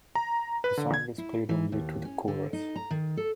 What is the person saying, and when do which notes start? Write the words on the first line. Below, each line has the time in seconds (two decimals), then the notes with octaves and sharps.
The song is played only to the chorus.
0.15 A#5
0.64 B4
0.77 D3
0.94 G#6
1.18 E4
1.49 E3
1.72 D#2
2.05 C#4
2.28 D3
2.53 D#4
2.76 A#5
2.91 D#3
3.17 A4